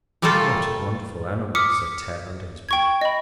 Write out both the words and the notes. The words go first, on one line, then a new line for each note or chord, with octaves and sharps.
"What a wonderful animal!" said Tad under his breath.
A#2 G3 A3 F4 A4
D6 D#6 F6 B6 C#7
G5 C#6 G#6
D#5 B5